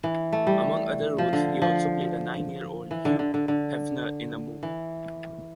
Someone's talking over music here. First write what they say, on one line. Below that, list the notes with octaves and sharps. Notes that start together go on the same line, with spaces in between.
Among other roles, he also played a nine-year-old Hugh Hefner in a movie.
E3
A3
G3
F3
D3
F3
E3
D3
D3
D3
D3
E3